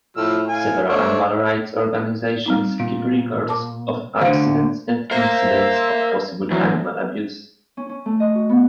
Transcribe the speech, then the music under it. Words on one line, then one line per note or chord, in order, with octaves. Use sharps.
Several animal rights organizations keep records of accidents and incidents of possible animal abuse.
A2 F3 E6 F6
A2 F5 G#5
A3 D4 C5 C#5
G3 C4 D#4
A#2
A#4 A5 D6
D2 D3 C5 F5
A#4 C5 E5 F5
D2 E3 F#3
C#4
C#4
A3
D#5
F#4
B3